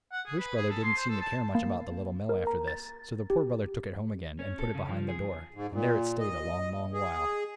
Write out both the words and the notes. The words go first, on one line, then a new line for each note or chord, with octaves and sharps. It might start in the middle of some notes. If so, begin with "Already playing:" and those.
The Rich Brother didn't seem to care much about the Little Mill after this, so the Poor Brother took it home again and put it behind the door; and there it stayed a long, long while.
F#5
G#4
B4
G#4
A4
C6
C5
A4
A5
A#3
A#4
A#5
A6
G4
C#4
A4
C#3
F3
G#4
G#2
A#2
D#5
G#4